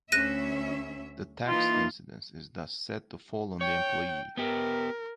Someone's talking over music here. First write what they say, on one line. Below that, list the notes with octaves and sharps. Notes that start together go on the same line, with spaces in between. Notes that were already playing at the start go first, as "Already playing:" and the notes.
The tax incidence is thus said to fall on the employee.
D2 C#4 E5 F#6 A#6 D#7
E3 A#3 D#4 F4
C#5 G5
B3 G4 A#4